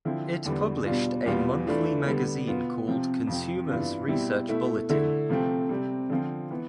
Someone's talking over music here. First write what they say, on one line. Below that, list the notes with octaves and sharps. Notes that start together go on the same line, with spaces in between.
It published a monthly magazine called "Consumers' Research Bulletin".
D3 F3 C4 E4
E2 D3 G3 B3
B2 G3 D4 F4
E2 B2 G3 B3 F4
E3 A3 D4 F4
D3 G3 B3
B2 B3 F4
C3 F3 C4
F2 C3 F3 C4
G2 E3 B3 D4 F4
B2 G3 C4 E4
B2 A3 E4
D3 A3 E4
C3 F3 A3 C4
C3 G3 C4
D3 F3 C4 F4
E3 B3